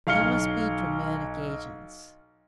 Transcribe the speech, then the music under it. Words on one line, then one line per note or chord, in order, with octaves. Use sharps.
"There must be dramatic agents."
B1 F5 F6 C#7 G7